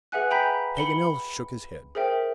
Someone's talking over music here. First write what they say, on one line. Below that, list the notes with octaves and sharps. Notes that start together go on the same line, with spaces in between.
Paganel shook his head.
G#4 B4 E5 F#5 G#5 F#6
G5 G#5 A#5 B5 G6 B6
B5 C#7 G7
G#4 A#4 C5 E5 G5